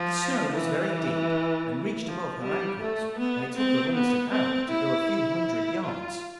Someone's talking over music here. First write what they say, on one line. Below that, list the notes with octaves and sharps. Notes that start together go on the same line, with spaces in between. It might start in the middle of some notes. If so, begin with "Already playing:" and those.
The snow was very deep, and reached above her ankles, and it took her almost an hour to go a few hundred yards.
Already playing: F3
E3
F3
G3
A3
B3
C4
B3
C4
E4
F4